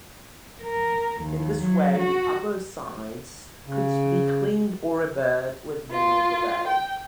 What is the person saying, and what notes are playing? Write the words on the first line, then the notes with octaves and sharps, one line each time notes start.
In this way the upper sides could be cleaned or repaired with minimal delay.
A#4
D#2
F#3
F#4
C#3
F4
G5